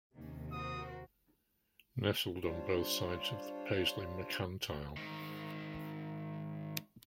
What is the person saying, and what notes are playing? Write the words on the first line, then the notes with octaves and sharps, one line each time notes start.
Nestled on both sides of the Paisley Mercantile.
D#2 C3 D#3 A#3 C#4
F#4 A#4 C5 D#6
G3 D4 F4 C5 C#5
G#2 D#3